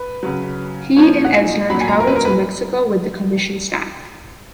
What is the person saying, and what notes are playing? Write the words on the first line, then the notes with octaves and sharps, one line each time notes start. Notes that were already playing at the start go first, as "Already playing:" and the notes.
He and Eisner traveled to Mexico with the commission staff.
Already playing: B4
C#3 F#3
A#2 F3 C#5
F#5
G#5
A#2 F#3 B5
G#5
A#5
A#4
B4
A#4
B4